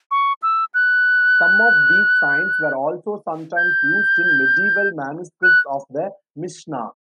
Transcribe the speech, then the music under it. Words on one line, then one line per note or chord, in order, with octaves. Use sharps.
Some of these signs were also sometimes used in medieval manuscripts of the Mishnah.
C#6
E6
F#6
G6
F#6